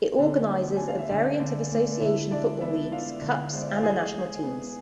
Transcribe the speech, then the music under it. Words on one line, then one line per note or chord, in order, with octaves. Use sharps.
It organizes a variant of association football leagues, cups, and the national teams.
D3 B3 B4
A3
D4 G#5
F5
E5
D3 D4 D5
D3
A3
D3 E4 E5
G#3 D4 D5
B3 E4 E5
D4 F4 F5
D3
G#3 C5
D5
E5
F5
E3 G#4 G#5
G#3
B3